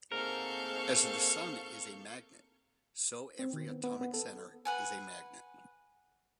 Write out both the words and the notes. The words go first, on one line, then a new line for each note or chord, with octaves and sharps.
As the sun is a magnet, so every atomic center is a magnet.
G#2 A#3 C4 A4 A#4 F5 C#6 G6
C4
D#3
B3
B3
B3
A4
B4 F#5 G#5